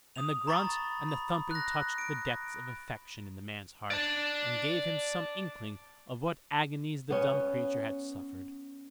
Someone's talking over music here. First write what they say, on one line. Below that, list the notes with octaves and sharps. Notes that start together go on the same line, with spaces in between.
And the grunt and the thumping touched the depth of affection in the man's heart, and gave him some inkling of what agonies the dumb creature had suffered.
D#6 F7
A#5 B5 C#6 A6
B5
F#6 A#6
D7
D5 A5
B3 C#4